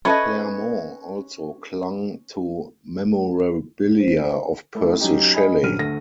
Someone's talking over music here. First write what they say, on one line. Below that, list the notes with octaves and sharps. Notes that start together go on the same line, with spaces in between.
Clairmont also clung to memorabilia of Percy Shelley.
C#4 A4 B4 C#5 D#5 E5 A5 B5
C5
A3 E4
F#3 C#4 D#4 G4
D#5 G#5 B5
D#1 G2 F#3 C#4 F6 D#7
D2 A3 A#6